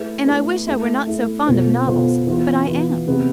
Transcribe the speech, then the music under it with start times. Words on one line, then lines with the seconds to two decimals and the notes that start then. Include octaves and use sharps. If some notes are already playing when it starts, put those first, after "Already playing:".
And I wish I were not so fond of novels; but I am.
Already playing: A3 E4 G#4 B4
0.26 A3 E4 G#4 B4
0.66 A3 E4 A4
1.07 A3 E4 A4
1.47 B2 B3 F4 A4 C5
1.87 B2 B3 F4 A4 C5
2.27 E3 B3 F4
2.66 E3 B3 F4
3.07 C3 G#3 B3